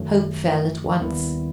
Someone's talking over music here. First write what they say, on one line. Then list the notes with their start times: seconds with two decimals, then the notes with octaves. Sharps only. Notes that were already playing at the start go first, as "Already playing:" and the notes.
Hope fell at once.
Already playing: F#2 D#3 F#3 A3
1.00 D#2 D#3 G3 B3 E4